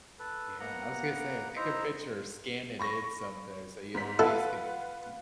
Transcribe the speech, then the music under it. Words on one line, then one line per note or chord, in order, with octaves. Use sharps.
Yeah, I was gonna say, take a picture or scan it in something so you at least could
A4 B4
A#3 B3 F#5 A#5
D#4 E4 C5 D#5 E5 A#5
B5 C#6 A#6
G#2 B6
E4 F4 A4 B4 F#5